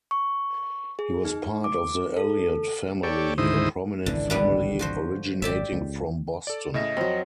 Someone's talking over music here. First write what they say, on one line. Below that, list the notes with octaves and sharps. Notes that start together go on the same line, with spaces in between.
He was part of the Eliot family, a prominent family originating from Boston.
C#6
G#4
D#4
D6
A4
G4 A4 C#5 D5
D2 G#2 D#3 E4 C5 D#6
G#1 C#2 D3 E3
D3 G3 B3
F3 F#4 C5
G#1 F#2 G4 D5 E5
C#2
A4 D5
A2 C#3 D#5 E5
F2 F#3 C4